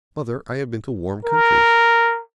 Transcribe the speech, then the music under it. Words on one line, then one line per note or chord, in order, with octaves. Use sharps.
"Mother, I have been to warm countries."
A#4